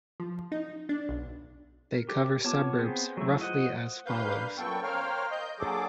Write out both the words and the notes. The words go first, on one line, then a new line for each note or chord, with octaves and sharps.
They cover suburbs roughly as follows.
F3
D#4
D4
B1
A#4
G4
B3 F4 C#5 A5 D6
B3 C4 G#4 C5
F#3 A3 E4
F4 C5 D#5 F#5
G2 A#3 B4 F5 G6
F#2 A#2 B3 A4 G5 C#6
A#4 C5 C#5 F5 G5 F6
D#5 G6
A#2 D3 F#3 G#4 A4 D6